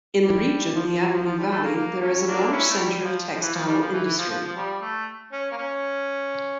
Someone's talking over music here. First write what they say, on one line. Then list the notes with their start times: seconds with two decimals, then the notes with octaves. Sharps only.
In the region, the Avenue Valley, there is a large center of textile industry.
0.24 G3
0.75 F3
1.00 E3
1.13 F3
1.25 F3
1.38 G3
1.51 A3
1.64 A#3
1.76 A#3
2.02 C#4
2.27 A#3 D4
2.52 C#4 E4
2.71 A3
2.77 G3
3.03 F3
3.29 F3
3.41 E3
3.54 F3
3.67 G3
3.80 F3
3.92 E3
4.05 E3
4.18 F3
4.30 F3
4.46 F3
4.56 G3
4.82 A3
5.32 C#4
5.52 A#3
5.57 C#4